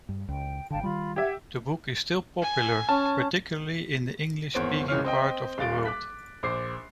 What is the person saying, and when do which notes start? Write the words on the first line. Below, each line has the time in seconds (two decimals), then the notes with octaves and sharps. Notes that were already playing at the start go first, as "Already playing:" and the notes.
The book is still popular, particularly in the English speaking part of the world.
0.09 G2
0.28 C#2 G5
0.70 G#1 D3 F5 G5 A5
0.83 D#3 G3 F4 B5
1.16 G4 E5 F#5 G#6
2.42 G#5
2.89 C#4 A5
4.54 G#1 E2 C5 C#5 D7
4.88 F#1 C#2 E3 C#4 C#5 F6
5.05 C4 D#5 G5
5.58 D#1 F5 A6 D7
5.85 D6 F#6 B6
6.43 A#1 C5 D6 C7